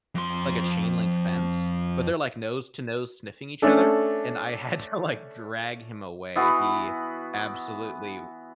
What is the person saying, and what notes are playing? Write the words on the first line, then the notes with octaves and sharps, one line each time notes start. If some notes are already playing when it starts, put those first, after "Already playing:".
like, a chain link fence, but they're, like, nose to nose sniffing each other, and I had to, like, drag him away. He absolutely
F2 C6
A3 C#4 D4 A4
E3 B3 F#4